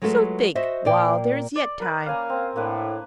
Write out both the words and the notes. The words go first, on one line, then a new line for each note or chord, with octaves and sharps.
So think, while there is yet time.'
F#3 G#3 A3 F4 A4 B4
F#4 C5 D#5 E5
A#2 A#3 D5 G5
D5
A#4 B4
A#3 C#4 F5 G#5 A#5
C4
A2 A#3 D4 B4